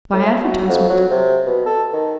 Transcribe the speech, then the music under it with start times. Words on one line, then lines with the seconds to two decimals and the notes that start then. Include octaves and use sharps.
"By advertisement."
0.13 A2
0.26 E4
0.44 F#4
0.69 F2
0.90 F#3
1.11 C3
1.46 B2
1.66 A4
1.93 D#3